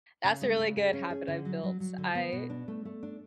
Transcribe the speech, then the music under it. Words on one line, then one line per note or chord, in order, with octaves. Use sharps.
that's a really good habit I've built. I
C#3
G#3
C#3
G#4
C#4
G#4
D3
F#3
F#3
F#3
D3
B3
B2
D4
A3
A3
D4